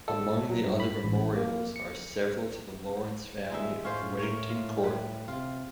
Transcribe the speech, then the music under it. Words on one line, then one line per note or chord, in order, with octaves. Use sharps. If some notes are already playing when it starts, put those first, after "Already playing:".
Among the other memorials are several to the Lawrence family of Whittington Court.
A4
F#3
G2
B5
A1
A#3
C#7
D#1 G#3 D#4 E5
A2 C#4 F4 C5
A#4 C#5
F4
G3 B4
C3 F4